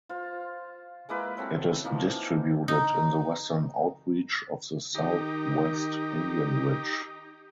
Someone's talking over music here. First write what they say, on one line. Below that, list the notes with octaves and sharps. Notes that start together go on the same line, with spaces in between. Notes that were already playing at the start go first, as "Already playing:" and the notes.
It is distributed in the western outreach of the Southwest Indian Ridge.
F4 C5
G#3 A#3 E4 B4
F#3 C4 A4
E3 F3 A#3 D#4
D#4
D#3 D#4 G4